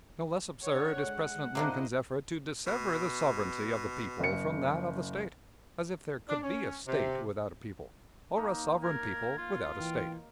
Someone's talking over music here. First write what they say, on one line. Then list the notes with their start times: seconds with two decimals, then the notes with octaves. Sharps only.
No less absurd is President Lincoln's effort to dissever the sovereignty of the people from that of the State; as if there could be a State without a people, or a sovereign people without a State.
0.63 D3 C#5 F#5
1.05 G#3
1.55 C3 A#3 D4 E4 C5 D#5
2.67 B2
4.20 F#1 C#7
6.29 D4
6.43 C#4
6.87 C3
8.36 A#3 D#4 C#5
8.83 A#4 G#6
9.37 F4
9.80 E3 G5